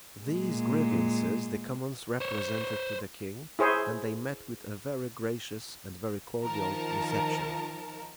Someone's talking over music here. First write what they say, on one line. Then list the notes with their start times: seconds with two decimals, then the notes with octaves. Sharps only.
These grievances the commons represented to the king and they met with a very gracious and very cordial reception.
0.21 A#2 G#3
2.21 C5 C#5
3.59 E4 G#4 C5 C#5
6.44 D#3 F3 A#4 A5